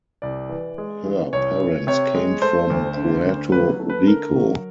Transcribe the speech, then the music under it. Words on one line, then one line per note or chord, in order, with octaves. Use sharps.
Her parents came from Puerto Rico.
C2 D5
E3
G#3
E3
C2 C#5
E3
C3 C#5
G#3
A3 C5
D2
D3
D2
F#3 B4
A3
B4
D3 A#4
F#3